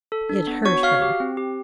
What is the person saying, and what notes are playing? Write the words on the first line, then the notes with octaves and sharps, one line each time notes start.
It hurt her.
A4
D4
B3
F#4 C#5 C#6
F#4 F5 F6
G4
C4
G4